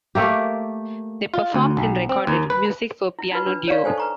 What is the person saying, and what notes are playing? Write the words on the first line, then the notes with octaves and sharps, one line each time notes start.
They performed and recorded music for piano duo.
A3 A#3 G4
F4
D2
B1
C4
D#2
B4
E4
D#4 F4 F#4 B4
D4 B4
C#5 D5 F5 C#6
D#4 A4 C5 G#5
B4 A#5 C#6